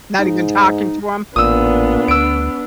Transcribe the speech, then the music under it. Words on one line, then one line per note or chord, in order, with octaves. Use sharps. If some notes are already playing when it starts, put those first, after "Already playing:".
Not even talking to him?
G#2 D#4
A1 A#2 B3 D4 D#6 E6
D2 E6 D7